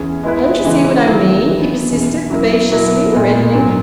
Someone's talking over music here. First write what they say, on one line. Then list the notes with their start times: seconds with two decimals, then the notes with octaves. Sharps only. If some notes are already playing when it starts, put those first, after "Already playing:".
"Don't you see what I mean?" he persisted vivaciously, reddening.
Already playing: E2 C#4 G#4
0.23 G#3 B3 E4 B4
0.65 C#3 E3 G#3 D#4
1.06 D#3 F#3 B3 E4
1.47 E3 B3 D#4
1.90 E2 B2 G#3 C#4
2.30 F#3 C#4 E4 A#4
2.72 B2 F#3 A#3 E4
3.13 A#2 G#3 B3
3.55 G#2 F#3 A#3